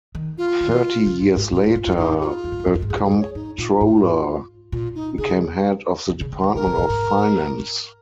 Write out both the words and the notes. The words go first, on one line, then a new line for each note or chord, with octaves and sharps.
Thirty years later, the comptroller became head of the department of finance.
D#3
F4
D#3
C#3
G#2
G#2
A#2 F4
F2
F4
G#2
F2 F4
G#2 D#4
G#4
F4
F2
G#2
F2
G#2
F2
G#2
F2 G#4
G#2
F2 G#4
C#5
G#2 D#4
A#2 F4
G#2
A#2 F4
D#4
C#3 G#4
D#3
C#3
C#3
D#3
C#3 A#4
C#3
A#2
G#2